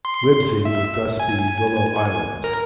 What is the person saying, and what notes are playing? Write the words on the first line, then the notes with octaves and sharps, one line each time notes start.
Wibsey would thus be "willow island".
C6
E5
G#5
A#4